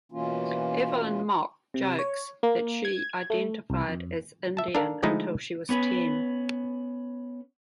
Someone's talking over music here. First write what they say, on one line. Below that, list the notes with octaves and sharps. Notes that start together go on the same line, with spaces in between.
Evelyn Mok jokes that she identified as Indian until she was ten.
B2 E3 A#3 C#4 F4
C3
C#5
A#3
G#6
A3
C2
F2
E5 A5
D4 A4 A#4 F5
D3 F3 G#3 A3 D#4 E4
B3 C#4 B4